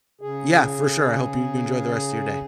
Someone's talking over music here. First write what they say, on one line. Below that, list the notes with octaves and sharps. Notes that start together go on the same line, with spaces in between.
Yeah, for sure. I hope you enjoy the rest of your day.
C#3 G#4